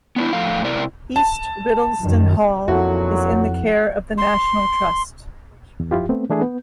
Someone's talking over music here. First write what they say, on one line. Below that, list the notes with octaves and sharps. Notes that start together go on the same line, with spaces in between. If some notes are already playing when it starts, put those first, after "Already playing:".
East Riddlesden Hall is in the care of the National Trust.
B3 D4 E4
A2 F3 A4 F5
C3 E4 A#4 D5
A5
F#2 D#3
B1 F2 A#2 F3 F#3 E4 F#4 A4
C6
E2
F#2 F3 E4 F4 G4
A3 B3 C4
E3 A3 D4 E4 G#4
B3